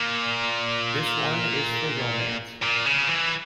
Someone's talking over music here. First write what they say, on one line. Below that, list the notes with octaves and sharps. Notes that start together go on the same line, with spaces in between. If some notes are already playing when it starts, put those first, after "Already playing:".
This one is for romance...!
Already playing: A#2
A#2
C#3
E3